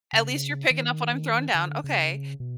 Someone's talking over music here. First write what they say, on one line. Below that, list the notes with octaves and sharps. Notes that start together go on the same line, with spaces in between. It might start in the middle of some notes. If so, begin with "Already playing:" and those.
at least you're picking up what I'm throwing down, okay.
C#3
D#3
D3
C#3
B2